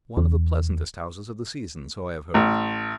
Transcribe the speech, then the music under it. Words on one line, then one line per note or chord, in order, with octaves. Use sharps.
One of the pleasantest houses of the season, so I have heard.
E2
A1